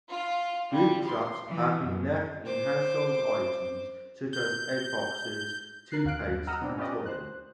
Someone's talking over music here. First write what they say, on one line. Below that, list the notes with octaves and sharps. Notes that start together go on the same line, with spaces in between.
Booby-traps have been left in household items such as egg boxes, toothpaste and toys.
F4
G3
C6
E3
F#2
C5 D6
G6
A#4 F#6 C7
D#2 F5 F#6 D7
D#5 F#5 A#5 E6 F6
B2 B3 C4 D4
C#4 F4 G4 B4 D5 D#5
C5 F#6